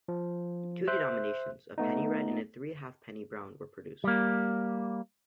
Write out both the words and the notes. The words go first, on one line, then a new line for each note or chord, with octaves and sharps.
Two denominations, a penny red and a three halfpenny brown, were produced.
F3
C5 E5 F#6
A3 B3 D#4
G3 A#3